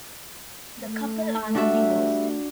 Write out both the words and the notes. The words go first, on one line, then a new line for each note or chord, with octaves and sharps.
The couple are now divorced.
A3
G3 D4 F#4 E5